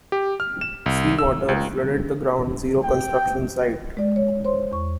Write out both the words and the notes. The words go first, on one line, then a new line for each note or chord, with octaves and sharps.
Sea water flooded the Ground Zero construction site.
G4
F6
E7
C2
E6
C#2
G5
G#3 D5
C#5
C5 C#5 C6
E2 C#6